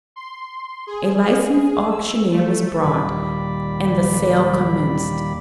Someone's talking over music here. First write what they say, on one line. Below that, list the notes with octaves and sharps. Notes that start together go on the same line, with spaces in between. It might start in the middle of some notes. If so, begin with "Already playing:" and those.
A licensed auctioneer was brought, and the sale commenced.
C6
G#4
E6
A3
D#2 A#2 G3 D5 B5